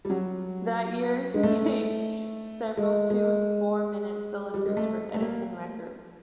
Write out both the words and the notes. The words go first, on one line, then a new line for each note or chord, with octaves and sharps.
That year he made several two and four-minute cylinders for Edison Records.
G3
F#3
G#3
A3
G#3
G#3
G3
G#3
A3
A3
A#3